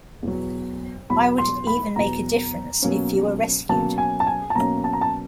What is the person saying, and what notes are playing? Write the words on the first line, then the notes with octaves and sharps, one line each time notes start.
Why would it even make a difference if you are rescued?
E2 B2 F#3
E2 B2 F#3 B5
C6
B5
E2 B2 F#3 A#5
B2 F#3 A#3 C#4
B2 F#3 A#3 C#4 A5
G#5
A5
G#5
A5
B2 F#3 A#3 C#4 A#5
A5
A#5
A5